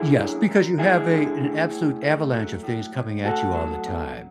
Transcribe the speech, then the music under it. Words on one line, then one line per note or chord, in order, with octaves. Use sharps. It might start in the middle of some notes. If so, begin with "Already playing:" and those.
Yes, because you have a an absolute avalanche of things coming at you all the time.
Already playing: D3 E4 G#4
F#2
F#2
G#3 E4 G#4
D3
A2
A2
A3
F#3
A2
A2
A3 F#4 A4
F#3
E2